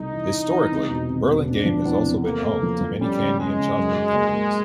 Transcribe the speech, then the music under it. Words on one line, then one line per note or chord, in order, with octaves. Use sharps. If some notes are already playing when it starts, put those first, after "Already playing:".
Historically, Burlingame has also been home to many candy and chocolate companies.
Already playing: C2 C3 A3 D#4
E3
E3
E3
C3
E1
C3
E1
C3 D4
F3
E2
C3
A3 A#3
A3
F3
F3
G3 C#4
C#3
G#3 C#4
C#3
F#2
F#3
A#3
A#3